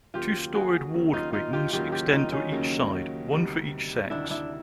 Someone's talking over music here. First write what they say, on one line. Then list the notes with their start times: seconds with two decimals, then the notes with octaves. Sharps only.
Two storeyed ward wings extend to each side, one for each sex.
0.14 D#2 C#3 F#3 A#3 F4 G4
0.54 F#4 G#4
0.94 D#2 C#3 F#3 A#3
1.13 D#4 F4
1.33 D#4 F4
1.53 F4 G4
1.72 D#2 C#3 F#3 A#3 F4 G4
1.92 F4 G4
2.13 D#4 F4
2.32 C#4 D#4
2.52 D#2 C#3 F#3 A#3
3.32 D2 C3 D#3 G3
4.10 D2 C3 D#3 G3 D4 E4
4.30 D4 E4